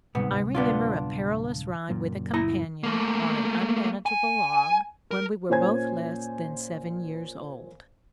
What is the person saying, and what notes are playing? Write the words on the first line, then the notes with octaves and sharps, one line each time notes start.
I remember a perilous ride with a companion on an unmanageable log, when we were both less than seven years old.
D1 G#2 C3 G3 B3
B3 D4 F4
F#1 F#2 A#2
E4 A#5
A3 A#3
G#5
A#4
A#2 C#4 C5 G#5 G#6